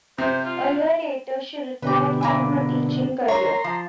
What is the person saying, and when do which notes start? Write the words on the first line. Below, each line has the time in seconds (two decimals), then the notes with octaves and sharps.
A year later she retired from her teaching career.
0.18 C3 C5
0.45 F4
1.82 B2 D3 G4 B4
2.21 A#3 E4 G#5
3.28 A#4 C#5 A#5 C6
3.64 F3